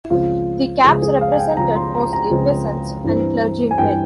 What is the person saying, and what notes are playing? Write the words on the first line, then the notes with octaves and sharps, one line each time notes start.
The Caps represented mostly peasants and clergymen.
C#2 C#3 F3 C4 F4
C#2 C#3 F3 C4 G#4
G#4
F5
G#5
G5
C#2 C#3 F3 C4 A#5
C6
A#5
A#5
C#2 C#3 F3 C4
G2 E3 G3 C4
G#5
G2 E3 G3 C4 G5